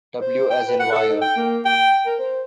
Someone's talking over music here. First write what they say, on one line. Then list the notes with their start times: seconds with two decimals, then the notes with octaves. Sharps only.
W as in wire.
0.21 C5
0.50 G5
0.67 B4
0.80 F#5
0.92 A4
1.10 D#4
1.22 G5
1.37 A#3
1.65 G5
2.06 A#4
2.19 C5